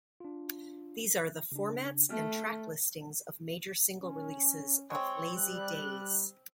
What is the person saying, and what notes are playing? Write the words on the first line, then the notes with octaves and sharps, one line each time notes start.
These are the formats and track listings of major single releases of "Lazy Days".
D4 F4
C#3 D4
A3 F6
C#4
G#3 C4 C#5
G3 F#6